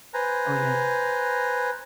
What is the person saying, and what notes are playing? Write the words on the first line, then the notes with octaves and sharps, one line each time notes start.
Oh yeah.
B4 C5 G#5 A#5